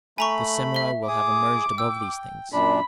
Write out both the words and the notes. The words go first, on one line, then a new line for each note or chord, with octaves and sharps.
The samurai will have emerged above these things.
A3 G#5 A#5 B5 C#6
E5 G7
G#4 D6 D#6
G5 E6
F#2 A#2 D4 B5